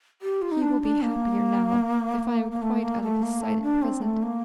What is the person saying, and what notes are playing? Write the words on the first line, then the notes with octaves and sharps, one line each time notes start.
He will be happier now if I am quite out of his sight at present.
G4
F4
D#4
D4
D4
A#3
A#3
A3
A#3
A3
A#3
A3
D4
C4
A3
A#3